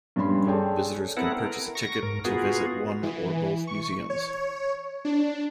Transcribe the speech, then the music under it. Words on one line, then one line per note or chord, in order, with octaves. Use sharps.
Visitors can purchase a ticket to visit one or both museums.
G2 G3 C#4 B5 C6
G#4 A4 C#5 D5 G5 A5
B3 C4 E4 A4 A#4 F#5
A#4
C#6 A#6
G#2 A#4
B3 F4 F#4 G#4
E3
C#6
C#5
D4